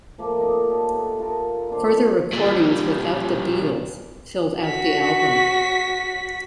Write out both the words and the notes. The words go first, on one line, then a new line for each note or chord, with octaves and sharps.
Further recordings without the Beatles filled out the album.
F3 A3 A#3
C4 D#4 D5
G4 A4 C#5
B3
F4 A4 A#4
A#2 D#3 D4 C5
A#2 G3
F#4 B6